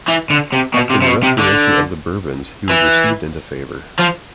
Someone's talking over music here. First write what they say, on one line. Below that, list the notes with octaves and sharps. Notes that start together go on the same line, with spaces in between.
After the restoration of the Bourbons he was received into favor.
E3
D3
C3
B2
C3
C3
B2
C3
D3
E3
F3